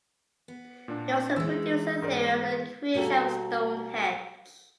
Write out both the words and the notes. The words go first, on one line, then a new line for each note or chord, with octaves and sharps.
He also produced a theory on the creation of Stonehenge.
B3
A#2 D4
E3 G#3 E4 E6
G#2 A#4 D5
B2 G3 A#3 F#4 A4